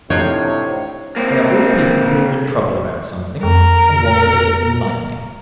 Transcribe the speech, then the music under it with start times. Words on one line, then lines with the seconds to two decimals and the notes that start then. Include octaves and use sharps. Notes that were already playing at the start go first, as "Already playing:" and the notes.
They are all people who are in trouble about something, and want a little enlightening.
0.10 A2 C3 D4 D#4 F4 C#5
1.16 A#3 C4
3.43 F2 A#4